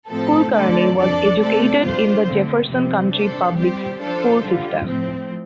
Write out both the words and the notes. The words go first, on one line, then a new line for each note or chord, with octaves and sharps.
Kulkarni was educated in the Jefferson County Public School system.
A2 F3 A3 C4 A4
D3 A3 C4 A4 D5
F2 F3 D4 A4 D5
C3 A3 C4 A4 D5
G3 D4 F4 C5
D3 A3 C4
C3 F3 C4
G3 D4 A4 C5
G3 C4 G4 C5
F3 D4 F4 A4 C5
D3 G3 F4
A2 F3 C4